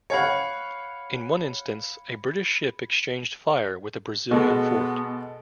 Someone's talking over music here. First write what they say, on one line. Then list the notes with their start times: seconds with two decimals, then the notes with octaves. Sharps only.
In one instance, a British ship exchanged fire with a Brazilian fort.
0.10 C#5 F5 F#5 B5 G#6 C#7
4.31 B2 G#3 B3 A4